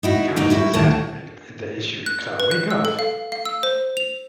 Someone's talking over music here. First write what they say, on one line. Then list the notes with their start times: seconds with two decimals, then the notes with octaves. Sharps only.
it kinda just exacerbated the the issue here because I would wake up
0.03 D#4 E4 F#4
0.36 D2 A#3 B3 D#4 F#4
0.50 G3 E4 F#4
0.74 D2 A#2 D#3 G3 E4 A5
2.06 F#6
2.40 B4
2.51 F#6
2.71 E6
2.85 A4
2.99 F5
3.32 F5
3.45 E6
3.63 C5
3.97 F7